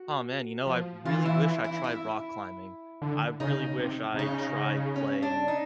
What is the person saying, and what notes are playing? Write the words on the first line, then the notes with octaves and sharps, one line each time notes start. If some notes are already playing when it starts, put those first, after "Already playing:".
"Aw, man," you know, "I really wish I tried rock climbing. I really wish I tried playing,
Already playing: F#4
F3
E3 F4
E4
E4
E4
D3
C#3 D#4
C3
C3
C#3 D#4
C#4
D4
D#4